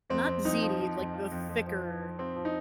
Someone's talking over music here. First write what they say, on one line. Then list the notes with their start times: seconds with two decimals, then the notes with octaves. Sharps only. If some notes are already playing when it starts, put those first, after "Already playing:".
not ziti, like, the thicker,
0.10 F2 C4
0.27 F2
0.45 F2 D#4
0.62 F3
0.80 F3
0.97 F2
1.14 F3
1.32 F2
1.49 F2
1.67 F3
1.84 F3
2.01 F3
2.18 F3 C4
2.36 F3
2.45 D#4